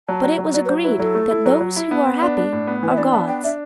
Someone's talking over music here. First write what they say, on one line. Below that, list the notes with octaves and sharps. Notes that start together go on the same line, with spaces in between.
But it was agreed that those who are happy are gods.
F#3 A5
F#3
F#3
F#3 D5
B4
F#3 C5
E4 B4
F#3 A4
A3
E4
F#3
F#3
E4
B3
B3
D4
D4
A2
B3
E3 B4
E5
D4 D5
B3 A5
D4 G5
D4 E5